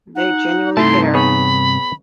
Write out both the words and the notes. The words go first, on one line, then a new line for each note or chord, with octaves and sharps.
They genuinely care.
D#4 F#5
G2 C3 A3 E4 A5 C6
B3 G#4 C#5 B5